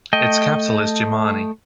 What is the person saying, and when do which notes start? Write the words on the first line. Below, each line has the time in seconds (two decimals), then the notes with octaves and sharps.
Its capital is Jimani.
0.13 A3 D#5 G5